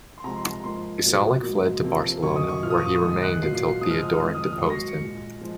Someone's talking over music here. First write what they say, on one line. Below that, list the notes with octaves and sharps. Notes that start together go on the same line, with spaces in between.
Gesalec fled to Barcelona, where he remained until Theodoric deposed him.
C6
C3 F3 G#3 A#5
C6
A#5
G#2 F3 A#3 C6
A#2 F#3 A#3
G#2 F#3 A#3
C3 F3 A#3
F#2 D#3 A#3 C#6
D#6
C#6
A#2 F3 A#3 F6
D#6
C#6
D#6
C#6
G#2 D#3 G#3 D#6
F#6
A#2 F#3 A#3 C7
C7
C7
G#2 F3 G#3 D#6
F6
D#6
F6
D#6
F2 D#3 G#3 F6
D#6
F6
D#6
G#2 F#3 A#3 C#6
A#6
C7
C#7
A#2 G#3
F3 G#3